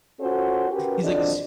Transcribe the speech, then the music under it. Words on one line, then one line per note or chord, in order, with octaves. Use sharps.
He's, like, "It's s"
C#4 F4 F#4 A4 C5 C#5
C#4 F#4 G4 A#4 B4
F2 D3 F3 D4 F#4 D#5